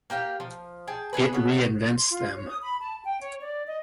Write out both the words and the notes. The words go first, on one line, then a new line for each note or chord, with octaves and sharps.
It reinvents them.
A#3 G4 F5 G5
F3
G#4 G5 A5
B3 D4 G#4 B4
C#3 B3
C6
F4
C#5
D#6
B5
A5
G5
C#5
D5
D#5